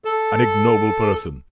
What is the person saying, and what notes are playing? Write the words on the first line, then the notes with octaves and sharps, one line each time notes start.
An ignoble person!
A4